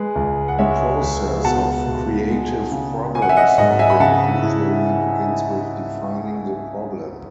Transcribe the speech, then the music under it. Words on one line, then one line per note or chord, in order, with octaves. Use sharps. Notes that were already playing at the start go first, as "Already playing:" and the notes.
The process of creative problem-solving usually begins with defining the problem.
Already playing: G#3 G#4 B4
C#2
F#5
G#3 C#5 E5
C#2
B2 F#5 A5
B2
G#3
C#3
C#4 G#5
F#5
E5 G#5
D#5 F#5
G#5
G#2 D#5 F#5
E5 G#5
B5
C#3 F#5 A5
E4